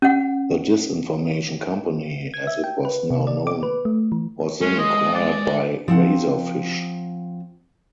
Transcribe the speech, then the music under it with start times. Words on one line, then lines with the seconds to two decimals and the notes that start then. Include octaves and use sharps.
The Disinformation Company, as it was now known, was then acquired by Razorfish.
0.02 C#4 F#5
2.34 G#6
2.47 E5
2.64 G5
2.85 B4
3.10 C3
3.27 D5
3.47 D6
3.63 B4
3.85 A3
4.12 E3
4.61 G#3 C#4
4.79 D#5
5.15 D5
5.88 F3 C4 F#5